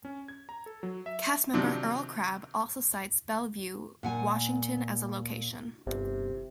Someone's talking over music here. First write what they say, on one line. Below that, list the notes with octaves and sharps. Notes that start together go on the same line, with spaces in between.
Castmember Earl Crabb also cites Bellevue, Washington as a location.
C#4
G#6
A#5
A4
F#3
E5
C3 D#3 F3 F#3 D4
A#2 F#5 G#5
G1 C3